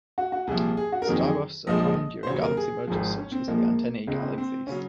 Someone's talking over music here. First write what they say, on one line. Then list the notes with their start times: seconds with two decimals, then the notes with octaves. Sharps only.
Starbursts are common during galaxy mergers such as the Antennae Galaxies.
0.18 F#4
0.32 F#4
0.47 C2 A#2 F3 G#4
0.77 G#4
0.92 F#4
1.02 A#4
1.07 F2 D#3 F#3 G#4
1.22 G#4
1.67 A#1 A#2 F3 G#3 D#5
2.23 C5
2.27 D#2 C#3 F#3 C#5
2.42 A#4
2.57 G#4
2.87 G#1 G#2 F3 G#4
3.17 C#4
3.32 C4
3.48 A#1 A#2 F3 G#3 A#3
4.07 C#2 C#3 G#3 C4
4.22 C4
4.38 C4
4.67 C#3 F#3 C#4